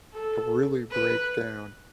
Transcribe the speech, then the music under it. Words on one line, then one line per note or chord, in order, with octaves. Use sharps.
but really break down
A4
B4